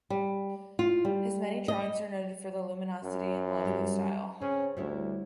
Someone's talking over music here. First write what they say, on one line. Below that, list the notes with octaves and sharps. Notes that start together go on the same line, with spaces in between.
His many drawings are noted for their luminosity and lively style.
G3
F4
G3
D#5
F#2
G2 G3 G4
C#3 C4 C#4
D2 G3 E4 C#5